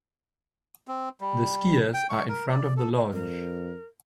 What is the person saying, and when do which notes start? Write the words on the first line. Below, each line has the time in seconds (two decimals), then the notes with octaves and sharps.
The skiers are in front of the lodge.
0.88 C4
1.21 G3
1.94 G5
2.09 C#6
2.29 A#4
2.50 D5
2.77 A4
3.13 F2 A#4